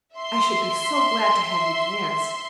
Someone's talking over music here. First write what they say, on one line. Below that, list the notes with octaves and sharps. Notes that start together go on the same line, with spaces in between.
I should be so glad to have you dance.
E5 C6